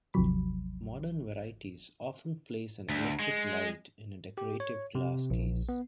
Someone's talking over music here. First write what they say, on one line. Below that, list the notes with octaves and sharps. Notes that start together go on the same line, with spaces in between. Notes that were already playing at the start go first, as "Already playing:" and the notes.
Modern varieties often place an electric light in a decorative glass case.
G#1 D#2 C3 F3 F#3 B5
D2
G#3
G4
C#5
C3
A#1
B3